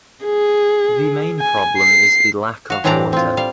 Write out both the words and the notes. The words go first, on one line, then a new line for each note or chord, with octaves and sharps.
The main problem is the lack of water.
G#4
G#5
C7
F#4 F5
A2 E3 C4 D4 D5 A#5
C4 F4
G3 F5